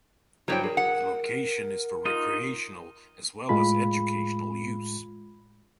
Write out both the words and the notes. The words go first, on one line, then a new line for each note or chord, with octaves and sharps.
The location is for recreational as well as educational use.
G2 F#3 E4 C5 C#5 G5
G#4 A#4
F#5
D#4 F4 D#5
A2 G#3 F4 B5